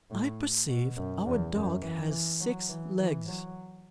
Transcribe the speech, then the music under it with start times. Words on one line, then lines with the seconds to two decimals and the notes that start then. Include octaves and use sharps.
"I perceive our dog has six legs."
0.11 A2
0.69 B2
0.97 F#2
1.26 E2
1.54 F#2
1.82 E3
2.11 E3
2.40 F#3
2.69 E3
2.98 E3
3.26 F#3